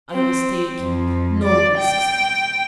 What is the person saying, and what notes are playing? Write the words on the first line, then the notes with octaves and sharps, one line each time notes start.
I was taking no risks.
C4
F2
D5
G5